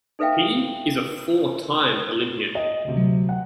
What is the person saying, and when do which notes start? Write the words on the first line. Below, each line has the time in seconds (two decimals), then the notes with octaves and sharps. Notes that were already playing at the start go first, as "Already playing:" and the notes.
He is a four-time Olympian.
0.19 D#4 A4 B4 E5 F5 G5
2.55 D#5
2.85 D2 C3
2.97 F#3
3.29 F#5